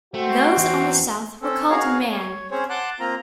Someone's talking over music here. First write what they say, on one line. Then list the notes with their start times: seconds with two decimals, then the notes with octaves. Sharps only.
Those on the south were called Man.
0.14 A3 C4 F#4
0.57 E2
1.42 C4 C#4 A4
1.70 F#4 G#4 A#4 C#5 F5
2.11 C#5
2.51 C4 C#4 G#4 C5 C#5
2.70 F#5 A5 C6 D6 F#6
3.00 A#3 C4 F4 A#5